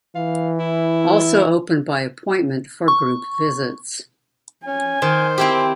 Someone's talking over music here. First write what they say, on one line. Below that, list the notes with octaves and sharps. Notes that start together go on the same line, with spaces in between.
Also open by appointment for group visits.
E3 F5
E4
C#6
C#4 G#5
D#3 C5
C4 E4 G4 G5